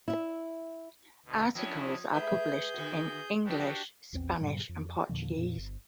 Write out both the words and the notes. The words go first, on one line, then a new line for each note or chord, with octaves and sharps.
Articles are published in English, Spanish, or Portuguese.
E4 E5
D2 B2
F3 C#4 D4 E4 C#5
G#3 G#4 B4 E5 G6
D3 B3 F#4
B2 F3 D4 F#4 G4
A#1 E2 C4
G2 A#2 C#3 F#3
F2
E2 A#2 D3 F3
F2 A#2
G1